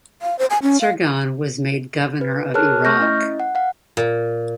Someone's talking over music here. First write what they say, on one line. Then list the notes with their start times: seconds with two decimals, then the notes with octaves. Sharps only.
Surgan was made governor of Iraq.
0.22 F5
0.39 C5
0.50 G#5
0.63 C#4
0.81 F5
2.21 B4
2.54 G#4 A#4 C#5 A5 F6 F#6
2.85 A3 C#6 F6 G6 A#6
3.00 C#4 E4 D#5
3.40 F#5
3.55 F5 F#5
3.97 A#2